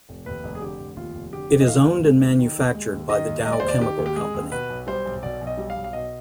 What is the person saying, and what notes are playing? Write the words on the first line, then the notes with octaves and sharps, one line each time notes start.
It is owned and manufactured by The Dow Chemical Company.
F1
D#2 B4
F1
G#4
D3 G4
F1
D#2 F4
F1
D3 G4
F1
D#5
D#3 F5
D#2
G#3
D#2
D#3
D#2
G#3
D#2
D#3 D#5
D#2
G#3 D#5
D5
C5
D#2
D5
D#3 G4
D#2
G4
G#3 G#4
D#2
B2 B4
B1
G3 C5
B1
B2 D5
B1
D#5
G3
F5
B1
F5
B2 D#5